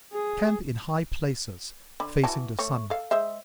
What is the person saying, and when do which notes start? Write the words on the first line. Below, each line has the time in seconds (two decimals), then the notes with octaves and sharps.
Camp in high places, facing the sun.
0.13 G#4
2.00 D3 B5
2.24 E3 F#4 A5
2.59 A3 C#5
2.90 A4 F5
3.11 G#3 C5 E5